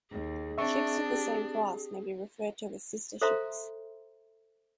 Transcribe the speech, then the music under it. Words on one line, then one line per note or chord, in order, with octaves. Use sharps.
Ships of the same class may be referred to as sister ships.
D#2 G#4
C4 D4 E5 C#6
G4
A4 C5 E5 F5 A#5 C6